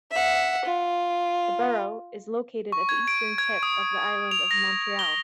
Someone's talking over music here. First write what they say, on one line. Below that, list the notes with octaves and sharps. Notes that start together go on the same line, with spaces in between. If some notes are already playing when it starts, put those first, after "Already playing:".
The borough is located at the eastern tip of the Island of Montreal.
E5 F#5
F4
C#6
G#6
D7
G#6
D#6
F7
A#6
G7